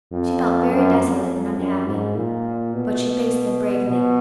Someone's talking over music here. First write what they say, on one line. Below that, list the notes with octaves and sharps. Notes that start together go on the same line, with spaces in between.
She felt very desolate and unhappy, but she faced them bravely.
F2
F#2
F2
F#2
G#2
A#2
B2
B2